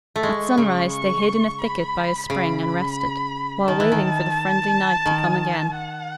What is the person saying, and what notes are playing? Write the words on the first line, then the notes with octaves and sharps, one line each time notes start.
At sunrise they hid in a thicket by a spring and rested, while waiting for the friendly night to come again.
A3
G#3 C#6
C#3
C#6
B5
C#3 B5
D#3 A5
E3
D#3
D#3
F#5